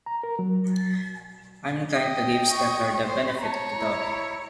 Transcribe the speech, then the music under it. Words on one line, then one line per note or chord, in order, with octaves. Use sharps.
I'm inclined to give Steckler the benefit of the doubt.
A#5
A#4
F#3
D#5 G5
C#6
C5
C#5 A5 A#5
E4